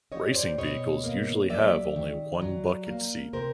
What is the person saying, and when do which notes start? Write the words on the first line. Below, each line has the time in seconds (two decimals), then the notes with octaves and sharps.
Racing vehicles usually have only one bucket seat.
0.12 G3 C#5 D#5
0.34 C5 D5
0.58 B2 C#5 D#5
1.04 A#3
1.49 F#3 D5 E5
1.96 D#3
2.42 F#3
2.87 A#3
3.33 C3 A#4 C5